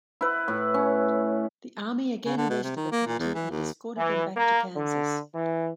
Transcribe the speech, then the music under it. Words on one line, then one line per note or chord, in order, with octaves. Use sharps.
The Army again arrested the party and escorted them back to Kansas.
E4 B4
A2
C#4
C#3
D3
B2
C3
D#3
A#3
A#2
E2
E3
D#2
E3
A#3
D3
E3